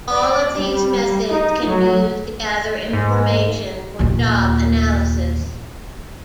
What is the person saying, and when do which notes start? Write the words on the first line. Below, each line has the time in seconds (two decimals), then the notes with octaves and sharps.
All of these methods can be used to gather information for job analysis.
0.13 D5
0.59 G3
1.30 D#4
1.67 F#3
2.93 G#2
3.99 D#2 A#2